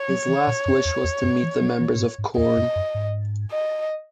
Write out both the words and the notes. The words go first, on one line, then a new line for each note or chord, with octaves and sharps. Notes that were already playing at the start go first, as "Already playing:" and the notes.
His last wish was to meet the members of Korn.
Already playing: C#5
F#3
E3
A#2
F#2
E2
E2
F#2
E3
F#3
E3
A#2
G#2
G#2
E2 D#5
F#2
F#2
G#2
D#5